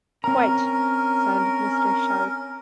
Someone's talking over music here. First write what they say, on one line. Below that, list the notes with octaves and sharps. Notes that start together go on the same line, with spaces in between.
"Quite," said Mr. Sharp.
C4 C#4 A#4 A#5